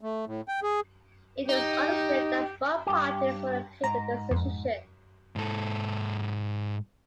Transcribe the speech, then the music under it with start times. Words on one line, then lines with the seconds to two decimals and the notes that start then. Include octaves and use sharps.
It was understood that both parties would appeal the decision.
0.01 A3
0.27 A2
0.48 G5
0.63 G#4
1.49 D#4 G4
2.87 G2 G4
3.84 G#2 A#5
4.31 F2
5.36 G#2 A4